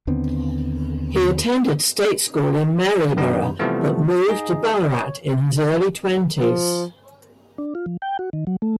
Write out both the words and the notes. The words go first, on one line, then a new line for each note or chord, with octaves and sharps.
He attended state school in Maryborough, but moved to Ballarat in his early twenties.
D#2 D3 B3 C4
F#2 D#3 B3 D4 D#4
C3 E3 F3 G3 A3 B3
D#4 G#4 D#5
C#5
F3
D4
F4
F3
G5
F#4
D#3
F#3
A3